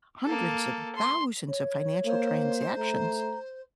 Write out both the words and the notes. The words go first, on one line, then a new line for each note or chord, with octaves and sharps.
hundreds and thousands of financial transactions,
A#3 A4
C6
C#5
A#3 C5
A3 A#5